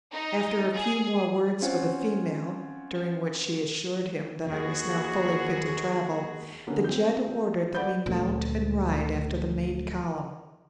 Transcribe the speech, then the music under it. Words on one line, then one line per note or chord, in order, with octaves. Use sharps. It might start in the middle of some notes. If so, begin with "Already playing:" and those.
After a few more words with the female, during which she assured him that I was now fully fit to travel, the jed ordered that we mount and ride after the main column.
D#4
G#4
C4 C#4 F4 C#5 F#5
D#2 F#4 G#4
D3 A#3 B3 C#4
C4 F4 G6
D5 F#5 B5 G6
D#1 D2